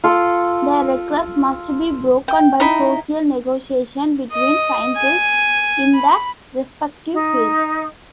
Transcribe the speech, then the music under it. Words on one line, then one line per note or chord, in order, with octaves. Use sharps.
The regress must be broken by "social negotiation" between scientists in the respective field.
F4 A4
G5
D#4 E4
D#5
G#5
B5
D#4